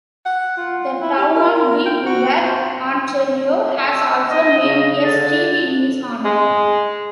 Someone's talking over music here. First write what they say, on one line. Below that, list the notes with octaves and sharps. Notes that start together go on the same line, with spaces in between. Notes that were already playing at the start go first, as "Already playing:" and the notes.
The town of Deep River, Ontario has also named a street in his honour.
F#5
F4
E4
G4
A#4
A#4
G5
F#4
C5
E6
D#5
C#3
D3 A6
G#3